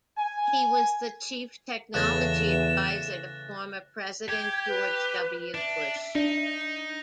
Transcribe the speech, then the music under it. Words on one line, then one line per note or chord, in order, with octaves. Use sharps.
He was the chief technology advisor to former President George W. Bush.
G#5
E2 C#3 E3 A3 F#6 A6 A#6 E7
G4 G#6
B4
D4 E5
D4 D#4